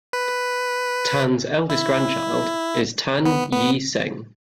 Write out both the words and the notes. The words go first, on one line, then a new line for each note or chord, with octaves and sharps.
Tan's eldest grandchild is Tan Yee Seng.
B4
E4
B3
B3